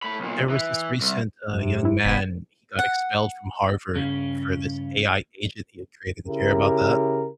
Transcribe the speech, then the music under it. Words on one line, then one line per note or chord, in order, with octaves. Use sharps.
There was this recent, uh, young man, he got expelled from Harvard for this AI agent he had created. Did you hear about that?
A3 B5
B1 A#2
E3
C2
F#2 C3
G2 E4
F1 B3 B6
F#5
G2 C#3 C#4
C#3 E4 G4 A#4